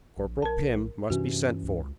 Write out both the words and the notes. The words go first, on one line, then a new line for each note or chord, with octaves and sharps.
Corporal Pim must be sent for.
A#1
A#1 A#4 A5
G2 C3 E3 C#4 F#4
C#2